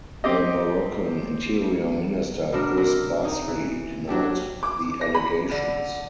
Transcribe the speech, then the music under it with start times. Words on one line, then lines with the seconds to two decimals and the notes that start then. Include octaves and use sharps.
The Moroccan Interior Minister Driss Basri denied the allegations.
0.24 C4 G4 D#5
2.53 B2 B3 D4 A#4
2.77 C3 A#4
3.25 D#4
3.48 E3
4.07 F#3 D4 G4 A4
4.63 D6
5.01 A#6
5.15 B5
5.51 D3